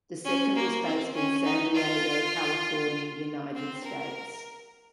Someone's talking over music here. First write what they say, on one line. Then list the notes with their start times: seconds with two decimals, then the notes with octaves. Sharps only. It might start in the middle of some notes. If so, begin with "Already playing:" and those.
The second was based in San Diego, California, United States.
0.25 C#4
0.56 A#3
0.85 C4
1.15 C#4
1.44 D#4
1.74 F4
3.54 C4
3.83 A#4